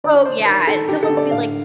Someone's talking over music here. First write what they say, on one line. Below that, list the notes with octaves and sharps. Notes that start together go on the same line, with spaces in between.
Oh, yeah, someone would be like
D3 D5
D4 C5
D#3 A#4
D#3 A4
D3 G4
A4
D3
D5
A2 F5